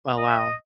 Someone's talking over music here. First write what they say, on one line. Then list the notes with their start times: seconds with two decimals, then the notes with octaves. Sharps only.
Oh, wow.
0.18 D#5
0.29 E5
0.38 D#5